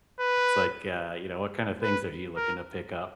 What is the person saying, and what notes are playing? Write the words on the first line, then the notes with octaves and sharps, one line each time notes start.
It's like, uh, you know, what kind of things are you looking to pick up?
B4
B4
A#4